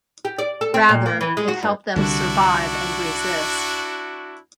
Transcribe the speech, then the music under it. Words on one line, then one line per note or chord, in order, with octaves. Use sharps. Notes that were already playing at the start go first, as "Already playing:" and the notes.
Rather, it helped them survive and resist.
G4
D5
A4
C4
A#2
A#3
E3
G#3
F#4
G2
C2 D3 G3 D4 E4 F#4